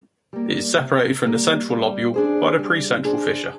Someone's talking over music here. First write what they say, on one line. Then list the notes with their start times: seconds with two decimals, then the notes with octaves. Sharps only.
It is separated from the central lobule by the pre-central fissure.
0.33 G3 A#3
0.78 C3
1.23 G3 A#3
1.69 G3
2.14 D4 G#4 C5
2.59 G3
3.05 D4 G#4 C5